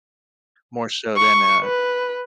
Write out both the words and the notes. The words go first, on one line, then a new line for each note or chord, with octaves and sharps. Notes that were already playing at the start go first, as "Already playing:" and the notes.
more so than, uh,
C#6
B4